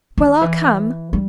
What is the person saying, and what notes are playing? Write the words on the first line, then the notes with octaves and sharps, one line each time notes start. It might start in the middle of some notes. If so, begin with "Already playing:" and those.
Well, I'll come.
D#3
E3
G3